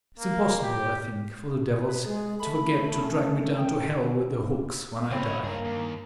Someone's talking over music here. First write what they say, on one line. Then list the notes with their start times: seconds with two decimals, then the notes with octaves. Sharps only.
It's impossible, I think, for the devils to forget to drag me down to hell with their hooks when I die.
0.19 A#3
0.63 G4
1.88 B4
2.05 G#3 G#4
2.40 A3 B5
3.02 C#4
3.57 G5
5.11 C#3 C4 C#4 E4
5.24 C#5
5.43 G2 A#3 G#4 A#4
5.65 D#2